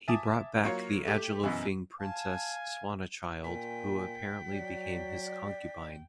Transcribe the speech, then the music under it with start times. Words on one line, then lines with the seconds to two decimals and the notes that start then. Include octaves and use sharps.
He brought back the Agilolfing princess Swanachild, who apparently became his concubine.
0.08 E5 G#5 A5 D6 D#6
0.64 F#3 A#3 F4 C#5
1.05 A3 G4
1.43 F#2 B2 E3
2.00 F5 G#5 A5
3.44 A#2 G5 G#5 B6
4.50 F#3 D5